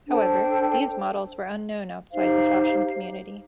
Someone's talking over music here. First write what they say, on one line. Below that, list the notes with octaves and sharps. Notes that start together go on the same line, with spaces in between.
However, these models were unknown outside the fashion community.
D4 A4 C5 G5
D#4 G4 C5 F5